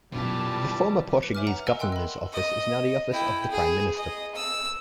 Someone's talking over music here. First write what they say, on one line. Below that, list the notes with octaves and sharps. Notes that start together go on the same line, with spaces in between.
The former Portuguese Governor's office is now the office of the Prime Minister.
F#2 B2 E3 G3 D4 F4 A5
B4
C#5 E5 G#5 D6 F6
F#5 A#5
A#4 D#5 F#5 G#5 E6
F#5 G5 C6 E6 F#6
D#5 B5
D#5
E4 G5
G#4
D#5
E6